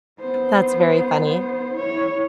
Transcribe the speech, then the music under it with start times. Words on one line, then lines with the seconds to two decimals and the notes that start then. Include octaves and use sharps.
That's very funny.
0.20 B3 C5
1.74 E4 C#5